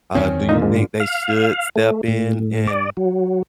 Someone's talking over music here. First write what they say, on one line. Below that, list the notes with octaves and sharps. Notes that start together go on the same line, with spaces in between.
Um, do you think they should step in and
E2 D#3 C4 C#4
A#2 D3 F3 D#4
G#2
F5
A3
A2
D5
F#3